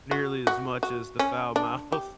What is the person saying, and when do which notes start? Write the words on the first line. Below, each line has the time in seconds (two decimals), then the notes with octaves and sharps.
nearly as much as the foul-mouthed
0.11 F#4
0.47 F#4
0.83 F#4
1.19 C#4
1.56 D4
1.92 G4